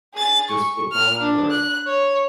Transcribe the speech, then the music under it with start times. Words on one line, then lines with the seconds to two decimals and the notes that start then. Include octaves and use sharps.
just football or
0.14 G#4 A6
0.49 C#6
0.92 F6
1.20 D4
1.50 F#6
1.86 C#5